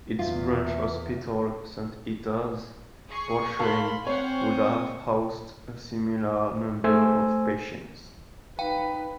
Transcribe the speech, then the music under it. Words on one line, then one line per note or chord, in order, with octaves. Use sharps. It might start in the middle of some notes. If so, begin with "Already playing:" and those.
Its branch hospital, Saint Ita's, Portrane, would have housed a similar number of patients.
E2 F4 E5
G#4 C#6 C7
A#4 F5 A5 B5 C6
C4 C5 C#5 F5 F#5 G#5 C#6
D#6
A3 C5 G#5 E6
D#4 B4 F5 G5